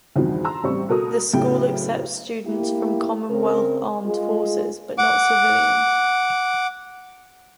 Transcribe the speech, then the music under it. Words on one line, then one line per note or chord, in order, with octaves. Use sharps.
The School accepts students from Commonwealth armed forces, but not civilians.
E2 G2 B2 D#3 F3 C4
A5 A#5 C6 E6
A1 G3 C4 C#6
B2 A4 A#4 D#6
F#2 A2 C#3 G4 G5
A#3 E4 G4
C#3 C4 A#4
G#3 F4 G#4
F#5 D6